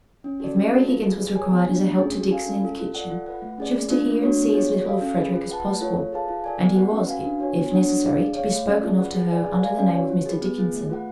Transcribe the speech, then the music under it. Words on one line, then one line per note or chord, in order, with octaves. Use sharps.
If Mary Higgins was required as a help to Dixon in the kitchen she was to hear and see as little of Frederick as possible; and he was, if necessary to be spoken of to her under the name of Mr. Dickinson.
C#4
F#4 A4 D5
C#4
F#4 A4
F4
G#4 B4
G#4
C#5 G#5
B3
D4 F4
A3
C#4 G#4
F#4
A4 F5 G#5
C#4
F4 A4
F4
A4 D5 F#5
F4
B4 F#5
A3
C#4 G#4 D5
A3
D4 F4
A3
D4 F#4 C#5
B3
F4 G#4 C#5
F#4
A4 F5
C#4
G#4 B4
F4
B4 F#5 A5
A3
F4 A4 C#5
F4
G#4 B4 F5 A5
F4
A4 D5 G#5
B3
F#4 B4 F#5
C#4
F#4 B4 F5 G#5
D4
F#4 C#5 G#5
B3
D4 F#4 C#5 F#5
D4
G#4 D5 F5
G#4
C#5 F5
A3
C#4 G#4 D5
F4
B4 F#5
G#4
B4 D5 G#5
G#4
B4 D5 F5 G#5
C#4
F#4 C#5
F4
G#4 B4
B3
F4 G#4
A3
F4 B4 F#5